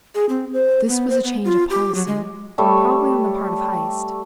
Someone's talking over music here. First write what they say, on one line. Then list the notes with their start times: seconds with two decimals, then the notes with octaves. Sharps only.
This was a change of policy, probably on the part of Heyst.
0.15 G#4
0.29 C4
0.53 C5
0.89 B3
1.10 C5
1.24 B3
1.45 F4
1.70 G4
1.95 F#3
2.07 G#3
2.58 G3 A3 C#5 E5